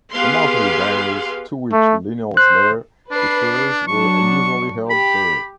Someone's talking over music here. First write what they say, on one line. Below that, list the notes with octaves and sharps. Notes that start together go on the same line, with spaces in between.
The monthly dinners to which Linnell's letter refers were usually held there.
B3 G4 G#4 B4 F5 C6
A3
C5 F#6
D4 B4 C7
F#3 D4 C#6
G4 B5